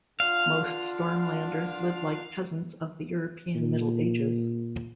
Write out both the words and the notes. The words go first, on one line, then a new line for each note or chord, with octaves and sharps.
Most Stormlanders live like peasants of the European Middle Ages.
D3 D4 F4 F5
A#2